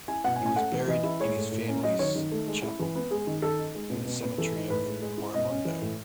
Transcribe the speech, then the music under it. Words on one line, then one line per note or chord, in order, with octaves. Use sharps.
He was buried in his family's chapel in the cemetery of Morimondo.
E4 G#5
B2 F#5
G#5
C#4
G#5
A3 F#5
E3
E3 D#5
E4
G#3 C#5
A2
A2
C#4
F#3 D#5
D#3 C#5
D#3
A3
G#3
E4
E3
B3
G#3 G#4
D#3
D#3 A4
D#4
G#3
B2
B2
B3
E3 A4
D#4
A2 B4
G#3
G#3
E4
B2 D#5
C#4
E3
A2